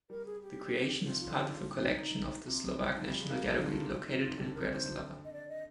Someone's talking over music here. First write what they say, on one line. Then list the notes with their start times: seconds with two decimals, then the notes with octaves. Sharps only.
The creation is part of the collection of the Slovak National Gallery located in Bratislava.
0.10 G3 A#4
0.26 G#4
0.42 G4
1.06 F3 F4
1.16 D#3
1.21 F4
1.28 D3
1.36 D#3 G4
1.52 D3 F4
1.78 F4
1.84 D#4
2.47 C3 F4
2.64 G4
2.79 F4
2.95 F3 D#4
3.07 G3 F4
3.20 G#3
3.27 A#3 D#4
3.43 G#3 D#4
3.51 G4
3.55 D3
3.59 D#3 F4
3.66 D3
3.75 C3 F4
3.90 F4
4.06 D#4
4.14 D#3
4.22 F4
4.38 D3 G4
4.54 A#4
4.62 C3
4.70 C5
4.76 D#3
4.86 D3
5.25 D#5
5.33 D5
5.49 D#5